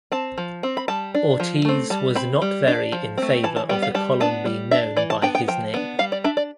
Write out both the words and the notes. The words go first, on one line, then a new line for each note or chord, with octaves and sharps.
Ortiz was not very in favor of the column being known by his name.
C4 A5
F3
C4
B5
G3 A5
D4
F3
A3 C4
G3 A5
C4 B5
G3
D4
F3
A3 C4
E3 A5
A5
G3 B3 G5
F5
G3 A5
B3 D4 A5
G3
D4 E5
E3 D5
A5
B3 D4 G5
G5
F3 G5
B3 D4
G3 F5
D5
D4 E5
D5